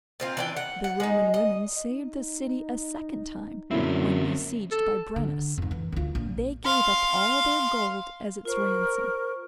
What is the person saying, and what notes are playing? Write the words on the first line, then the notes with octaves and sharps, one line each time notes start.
The Roman women saved the city a second time, when besieged by Brennus. They gave up all their gold as its ransom.
A#2 C4 F4
E3 D4 G5
F#5
F#5
G#3 D#4
D#5
D#4
F#2 A#2 D3 C4 E4
A4
D3
F2 G#2
E3
D2 F4
A#1
F5 C6
F4 A#4 C5 C#6